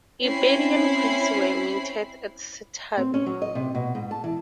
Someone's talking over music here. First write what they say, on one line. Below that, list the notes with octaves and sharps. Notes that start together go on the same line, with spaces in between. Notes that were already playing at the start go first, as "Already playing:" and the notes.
Iberian coins were minted at "Setabi".
C4 C#4 E4 B5 C7
C4
C#4
F#3
D#5
C3
B2
G#2
A5
E3